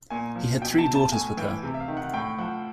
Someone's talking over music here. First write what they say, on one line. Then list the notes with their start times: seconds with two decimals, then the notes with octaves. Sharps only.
He had three daughters with her.
0.10 A#2 G#5
0.36 F3
0.62 B2 G5
0.78 A5
0.95 A5
1.12 A2 G#5
1.37 E3 G5
1.63 C3
1.74 E5
1.80 F5
1.88 D#3
1.97 F#5
2.14 A2 G5
2.39 F3 F#5